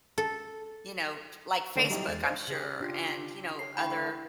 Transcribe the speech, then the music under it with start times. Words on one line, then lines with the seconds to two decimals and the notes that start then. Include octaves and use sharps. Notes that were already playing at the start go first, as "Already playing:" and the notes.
you know like Facebook, I'm sure, and, you know, other
0.18 A4
1.76 D3 D#3 A3 A#3 D4 D5
1.90 F#3 G3 D#4 E4 F#4 G4
2.08 E2 G#3 A6
2.24 C5 D5 D#5 F5
2.48 C#3 G4 G#4
2.81 D4 F4 G4
3.59 C#5 C7
3.77 D3 A3 E4 G5 B5